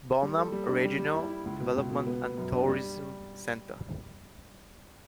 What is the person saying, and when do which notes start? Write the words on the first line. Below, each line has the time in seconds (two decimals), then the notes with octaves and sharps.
Bonham Regional Development and Tourism Center.
0.22 G3
0.37 A4
0.52 G3
0.68 D4
0.84 G3
0.98 G3
1.15 E4
1.29 E4
1.45 C#2
1.61 B2
1.76 C#2
1.92 B2
2.07 B3
2.23 B3
2.37 F#2
2.53 D4
2.68 G3